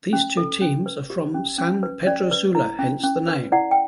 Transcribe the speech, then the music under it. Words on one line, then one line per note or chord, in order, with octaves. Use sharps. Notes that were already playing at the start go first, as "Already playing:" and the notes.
These two teams are from San Pedro Sula, hence the name.
C#4
A4
C#4
B4
G4
C#4
C#4
B4
C#4 D5
B4
E4
C#4
C#4
B4
E4 D5 F#5
G5